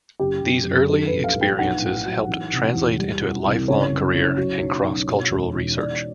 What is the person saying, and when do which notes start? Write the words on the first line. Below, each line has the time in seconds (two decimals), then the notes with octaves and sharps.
These early experiences helped translate into a lifelong career in cross-cultural research.
0.20 F#1 G4
0.43 F#1
0.66 F#2
0.89 F#3 A4
1.07 B4
1.13 A#1
1.24 F5
1.36 A#1
1.41 G5
1.59 B1 F#5
1.82 A2
2.05 F#3
2.29 E3
2.52 C3
2.75 E2
2.99 G3
3.21 B2
3.44 C2
3.67 C#3 C#5
3.91 F#1
4.14 F#1
4.37 F#3
4.61 B1
4.84 B1
5.07 B2
5.30 E1
5.53 B2
5.77 E2 D5